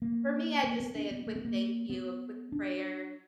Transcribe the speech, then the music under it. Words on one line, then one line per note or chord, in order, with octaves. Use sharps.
for me, I just say a quick thank you, a quick prayer.
A#3
A#3
B3
D4
B3
A#3
B3
A#3
B3
D4